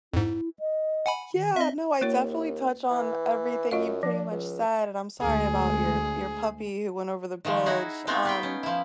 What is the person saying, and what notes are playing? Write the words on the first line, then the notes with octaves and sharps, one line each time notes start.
Yeah, no, I definitely touch on everything you've pretty much said, and I'm sorry about your your puppy who went over the bridge, um,
F2 G#2 E4
D#5
F#5 G#5 B5
D#3
C4 D#5 E5
D#2 A#3 F4 C#5
E3
F#2 F4 D#5 F5
F3 D4
C#2
D2 G#3 G#4
D#3 F3 G#3 A3
D#4 E4 F#4 G#4
G#3 A3 B3 C4 D#4 F4
B3 B4 G5
C#4
F3 E4